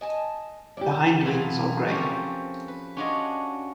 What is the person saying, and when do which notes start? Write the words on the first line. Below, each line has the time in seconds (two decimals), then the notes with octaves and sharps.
The hindwings are grey.
0.01 D#5 G#5 A5
0.77 C#4 D4 E4 G4
1.25 F#2 E3 B3 E4 F4 A5
1.88 F3 A3 C4 C#4 G4 A#4
2.68 B4
2.97 C#4 D4 F4 F#4 C#5 D#5